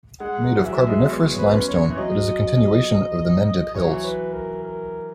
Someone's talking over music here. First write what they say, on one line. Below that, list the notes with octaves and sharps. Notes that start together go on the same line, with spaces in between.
Made of Carboniferous Limestone, it is a continuation of the Mendip Hills.
G#3 F#5
F#3
E3
F#3 E5
G#3
B3 C#5
B4
C#4
C#5
E3
F#3 D#5
E3 C#5
F#3
E3
B4
A#4
A#4